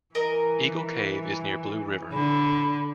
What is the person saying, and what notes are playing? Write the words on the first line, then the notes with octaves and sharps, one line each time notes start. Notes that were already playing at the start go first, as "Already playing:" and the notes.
Eagle Cave is near Blue River.
E3 A#4 D#5
D3 B5